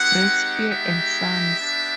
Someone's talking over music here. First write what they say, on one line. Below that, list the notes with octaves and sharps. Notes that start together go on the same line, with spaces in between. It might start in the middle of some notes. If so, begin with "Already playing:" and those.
Brakspear and Sons.
Already playing: G#3 C4 D#4 G4 F#5
G#3 B3 D#4 G4 E5
B3 D4 G4